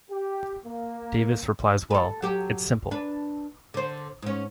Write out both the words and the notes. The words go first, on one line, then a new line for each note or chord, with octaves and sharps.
Davis replies Well, its simple.
G4
A#3
A4 B4
F#3 G4
D4 B4
D3 C5
G#2 C#4